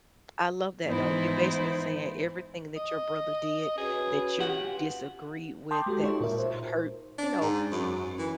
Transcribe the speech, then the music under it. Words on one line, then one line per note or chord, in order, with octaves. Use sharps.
I love that, though. You're basically saying everything that your brother did that you disagree with that was hurt you know,
G#2 E3 B3 D#4 E4 C5
D#5
C#4 F#4 G#4 B4
F4 G4 F#5
G5 A5 C6 D6 D#6 G6
G#3 F#4 G4 A4
D#4 F4 G4 C#5 C#6
A#2 A#4 E5
C5
D4
G#2
F#2
E3